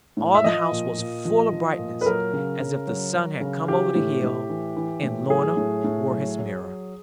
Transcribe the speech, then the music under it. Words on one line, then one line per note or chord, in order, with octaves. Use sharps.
All the house was full of brightness, as if the sun had come over the hill, and Lorna were his mirror.
A2
E5
F3 D#5
A#2
A#2
F3
F3
A#2
B4
F#3 A#4
C#3
C#3
F#3
F#3
C#3
E3 G4
A2
A2
E3
E3
A2
F#3 G#4
A2
A2
F#3
F#3